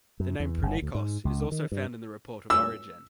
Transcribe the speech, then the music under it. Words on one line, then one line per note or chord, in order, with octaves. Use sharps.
The name Prunikos is also found in the report of Origen.
F#2
E2
G1
D2
G#2
C#2
D#3
G2
E6